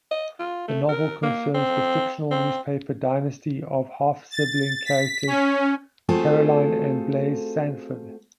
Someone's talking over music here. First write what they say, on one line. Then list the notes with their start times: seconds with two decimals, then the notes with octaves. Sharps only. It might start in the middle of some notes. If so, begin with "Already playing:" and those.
The novel concerns the fictional newspaper dynasty of half-sibling characters Caroline and Blaise Sanford.
0.11 D#5
0.39 F4
0.68 A3
0.89 A#4
1.23 A#3
1.54 C4
2.31 C4
4.31 A6
4.85 B6
5.27 C#4
6.09 A3 C4 F4 F#4 G#4 A4